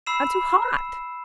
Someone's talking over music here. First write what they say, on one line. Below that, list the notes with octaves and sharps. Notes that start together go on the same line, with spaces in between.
"I'm too hot."
B5 E6 C7 E7